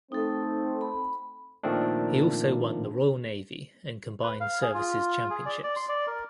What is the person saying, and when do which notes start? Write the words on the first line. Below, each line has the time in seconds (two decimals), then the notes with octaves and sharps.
He also won the Royal Navy and Combined Services championships.
0.12 A3 C4 D#4 A4
0.81 B5
1.63 A#2 D#3 F3 A3 C4 D4
4.23 B4
4.40 F5
4.62 G#4
4.74 F4
5.30 G#4
5.46 D5
5.63 D5
5.76 C6
5.89 D5
6.07 A#4